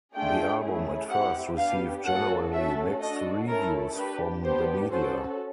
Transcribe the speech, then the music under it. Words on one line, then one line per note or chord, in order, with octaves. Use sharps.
The album at first received generally mixed reviews from the media.
A3 D4 F4 G#4 G5
A3 C#4 E4 G#4
C4 E4 G4 F#5
B3 D4 G4 F5
A#3 C#4 F#4 A4 F#5
A3 C#4 F#4 A4 E5
D4 F#4 A4 D#5
A3 C#4 E4 A4 A#4
D4 G4 B4
B3 D4 G4 C5
C#4 F#4 A4 C5